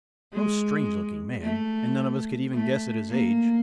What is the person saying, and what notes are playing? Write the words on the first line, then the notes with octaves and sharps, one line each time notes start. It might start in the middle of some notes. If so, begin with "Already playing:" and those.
Most strange-looking man, and none of us can even guess at his age.
G#3
A3
A3
A#3